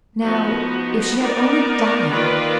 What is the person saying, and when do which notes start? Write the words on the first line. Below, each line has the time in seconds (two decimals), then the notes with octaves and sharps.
Now--if she had only died!
0.22 F3 B3 D#4 F#4
1.16 B3 D#4 A#4 D5
2.09 D#3 A#3 F4 B4 D5